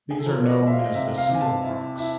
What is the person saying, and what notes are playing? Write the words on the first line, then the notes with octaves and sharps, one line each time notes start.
These are known as the Seal Rocks.
G#4
A4
F3 A#4
D5
D#5
G#3
E5
F5
D#5
C3 E5
F5
C3
G#5
A5
E4
E4